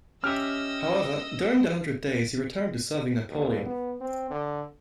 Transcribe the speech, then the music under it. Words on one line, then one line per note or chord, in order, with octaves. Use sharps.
However, during the Hundred Days he returned to serving Napoleon.
C#4 G4 D#5 E5 E6 F6
D#2
B3
C4
D3